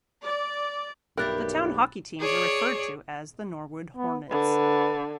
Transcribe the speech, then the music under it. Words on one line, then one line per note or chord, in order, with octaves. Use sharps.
The town hockey teams are referred to as the Norwood Hornets.
D5
B1 G2 G4 A#4 E5 B5 F#6 A6
G#4 C#5 D5
B3
D3 B4